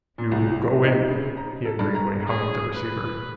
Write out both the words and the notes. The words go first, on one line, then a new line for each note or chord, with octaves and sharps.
"You go in," he agreed when he hung up the receiver.
A#2
C2
F3
D#4
C#3
A#5
A4
G2
A#5
G#4
B4